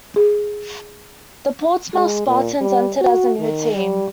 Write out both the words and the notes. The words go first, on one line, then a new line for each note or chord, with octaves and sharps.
The Portsmouth Spartans entered as a new team.
G#4
G#3
A#2
G3
F#4
D#3
G3